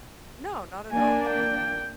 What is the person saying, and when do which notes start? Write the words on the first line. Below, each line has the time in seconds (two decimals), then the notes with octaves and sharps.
No, not at all.
0.92 A#3 D4 G#5
1.30 G5